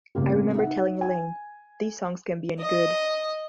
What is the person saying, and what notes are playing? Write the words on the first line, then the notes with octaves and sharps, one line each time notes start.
I remember telling Elaine, 'These songs can't be any good.
A2 C#3 G3 A#3 C4
D#4 E5 F#5
G#5
D#5